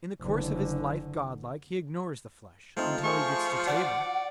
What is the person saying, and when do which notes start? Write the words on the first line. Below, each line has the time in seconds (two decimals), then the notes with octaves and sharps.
In the course of his life godlike he ignores the flesh--until he gets to table.
0.22 F#1 D3
2.77 F3 A3 C4 D#4
3.04 A3 G#4 C5 C#6
3.67 F#4 D5 F#5